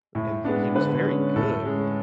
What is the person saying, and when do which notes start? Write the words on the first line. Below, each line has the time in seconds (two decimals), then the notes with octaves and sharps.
and he was very good,
0.15 A2
0.44 G#3 B3 D4
0.75 D3 B4
1.05 G#3 C#4
1.36 A2 A4
1.66 G#3 C#4